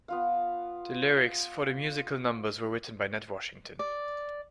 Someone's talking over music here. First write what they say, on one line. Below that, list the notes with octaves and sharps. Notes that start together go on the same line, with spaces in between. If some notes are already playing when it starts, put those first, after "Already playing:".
The lyrics for the musical numbers were written by Ned Washington.
B3 F4 F5
D5